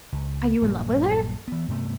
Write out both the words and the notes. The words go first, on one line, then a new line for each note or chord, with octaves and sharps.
"Are you in love with her?"
C#2
A#1 G2 F#3 A#3
E3 B3
G2 C3 A3 B3